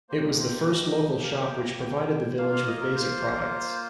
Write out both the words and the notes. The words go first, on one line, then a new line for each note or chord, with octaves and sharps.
It was the first local shop which provided the village with basic products.
A#3 G4 C5
D#5
C5
C5
D#5
F5
G5
A#5
G5
A#3 F4 F5
F5
D#5
A#4
C5